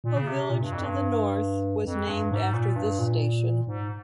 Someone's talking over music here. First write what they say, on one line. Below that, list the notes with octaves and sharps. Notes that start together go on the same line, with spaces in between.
A village to the north was named after this station.
A#2
C#3
C3
A#2
G2
F2
G2
F2
G2
G#2
A#2
G2
A#2
G#2